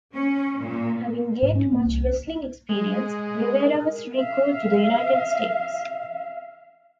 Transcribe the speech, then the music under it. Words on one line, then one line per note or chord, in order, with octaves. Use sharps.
Having gained much wrestling experience, Rivera was recalled to the United States.
C#4
A#2
G#2
C#4
A#3
C2
G#3
A#4
E5 F5